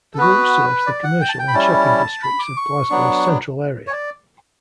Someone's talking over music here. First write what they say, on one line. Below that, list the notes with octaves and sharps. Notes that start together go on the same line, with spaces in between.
The route serves the commercial and shopping districts of Glasgow's central area.
A4
B3 F#4 B4
D5
F#5
G5
A5
G5
B5
G3 C#4 E4 A5
B5
D6
C#6
F#3 B3 D4
C#5
D5